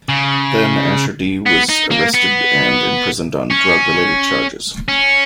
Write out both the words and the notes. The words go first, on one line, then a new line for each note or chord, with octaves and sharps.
Then Asher D was arrested and imprisoned on drug related charges.
C#3
B3
D#4
A#3
B3
C#4
C#4